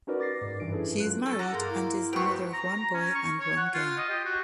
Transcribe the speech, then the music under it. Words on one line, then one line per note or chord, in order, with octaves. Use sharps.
She is married and is the mother of one boy and one girl.
C#4 D#4 F#4 A#4 B4 D5
D6 A6 A#6 C7
G#2
G2 E3 D4 D7
C#4 E4 G#4 A4 B4
F#3 F4 F#6
C#4 A4
F#5 A#5 D6
G2 A#3 G#4 C6
E4
G#3 B3 C4 F#4 G5 C#6
A#5
A#5
C#4
C#6
C#5
F#5
F4
D#5
G4
F#4